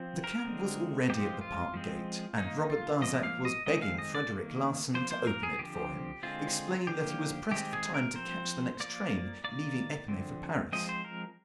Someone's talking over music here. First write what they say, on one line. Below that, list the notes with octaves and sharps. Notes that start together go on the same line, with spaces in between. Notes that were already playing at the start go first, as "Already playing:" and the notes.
The cab was already at the park gate and Robert Darzac was begging Frederic Larsan to open it for him, explaining that he was pressed for time to catch the next train leaving Epinay for Paris.
Already playing: F3 C4
A#4
D3 G#3 C4
F3 G#3 C4 G4
F4
F3 G#3 C4
D#3 A#3 D#4
F4
F3 A#3 D#5
F5
D#5
D#3 G#3 C4 D#5
F5
D#5
D5
D#3 A#3
F3 A#3 C5
C5
A#4
G#4
D3 F3 C4 G4
D3 G#3 C4 F4
D3 F3 A#3 G4
D#3 G#3 C4 G4
G#4
A#4
F3 C4 C5
F3 A#3 D5
D#3 A#3 D5
D3 F3 C4
F3 G#3 C4 D#5
C5
A#4